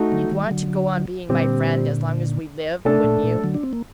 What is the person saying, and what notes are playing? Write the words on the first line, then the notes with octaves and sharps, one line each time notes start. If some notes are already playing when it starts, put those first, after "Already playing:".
"You'd want to go on being my friend as long as we live, wouldn't you?"
Already playing: A3 D#4 F#4
D3 F#3
D#3 G3
G3
D3 F#3
A#2 D3 G3 C4 G4
C3 A3 D4 A4
A#2
A#2
D3 F#3
D4
C4
A#3